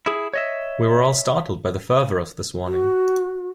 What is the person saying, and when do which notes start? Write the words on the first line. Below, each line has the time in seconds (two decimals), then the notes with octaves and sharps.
We were all startled by the fervour of this warning.
0.06 E4 G#4
0.34 C#5 D#5 E5
2.65 F#4